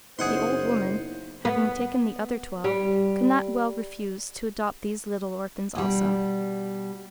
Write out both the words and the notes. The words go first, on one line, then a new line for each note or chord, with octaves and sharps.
The old woman, having taken the other twelve, could not well refuse to adopt these little orphans also.
F#1 B3 D#4 E4 G#4 C5 F#5 C6
B3
G3
B2 G3